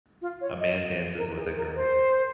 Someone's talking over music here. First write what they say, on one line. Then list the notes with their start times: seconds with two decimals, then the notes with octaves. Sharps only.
A man dances with a girl.
0.22 F4
0.41 C#5
0.60 D#5
1.17 A#4
1.37 G#4
1.57 A#4
1.75 C5